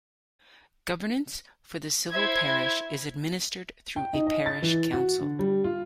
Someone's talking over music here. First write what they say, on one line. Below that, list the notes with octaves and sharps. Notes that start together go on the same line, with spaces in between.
Governance for the civil parish is administered through a parish council.
E4 C5 E5 G#6
G5
D#4
D#5
A6
E3
F#4
D3
G3
F4